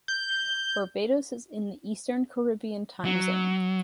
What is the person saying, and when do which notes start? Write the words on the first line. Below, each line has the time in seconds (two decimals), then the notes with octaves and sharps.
Barbados is in the Eastern Caribbean Time Zone.
0.08 G6
3.05 F#3